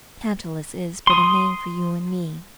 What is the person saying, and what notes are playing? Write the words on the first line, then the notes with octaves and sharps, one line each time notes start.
Tantalus is but a name for you and me.
C6 D#6